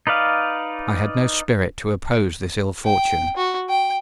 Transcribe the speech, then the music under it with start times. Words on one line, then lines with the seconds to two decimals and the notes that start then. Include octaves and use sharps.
I had no spirit to oppose this ill fortune.
0.07 D#4 B4 D5 F5
2.85 G5
3.37 F#4
3.69 G5